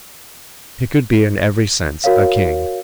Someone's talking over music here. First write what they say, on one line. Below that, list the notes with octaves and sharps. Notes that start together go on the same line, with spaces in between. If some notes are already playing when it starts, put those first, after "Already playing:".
He could be in every sense a king.
F#4 A#4 C#5 F5